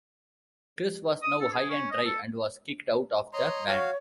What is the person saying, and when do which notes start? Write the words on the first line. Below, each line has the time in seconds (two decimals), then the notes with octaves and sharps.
Chris was now high and dry and was kicked out of the band.
1.22 D#6
1.40 A4
1.52 G#4
1.70 C#4
1.91 D#5
2.05 A4
3.33 C#5 D#5 A#5 C6
3.67 F#4 C#5 F5